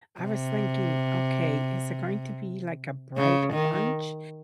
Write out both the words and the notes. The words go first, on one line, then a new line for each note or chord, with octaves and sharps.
I was thinking, "Okay, is it going to be, like, a bright orange?
C3
C#3
D#3